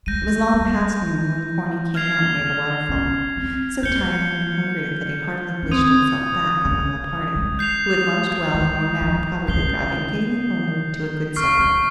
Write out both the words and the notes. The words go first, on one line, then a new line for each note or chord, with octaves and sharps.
It was long past noon when Corny came out near the waterfall, so tired and hungry that he heartily wished himself back among the party, who had lunched well and were now probably driving gayly homeward to a good supper.
G#3 G6 A#6 D#7
G3
F3
F6 G#6 C7 F7
C#4
C4
A#3 G6 C#7 G7
C#4
C4 D#6 G#6 D#7
A#3
G#3
G6 C7 F7
G#3
F3
C#3 G6 C7 G7
C3 C#6 F6 C7
C#3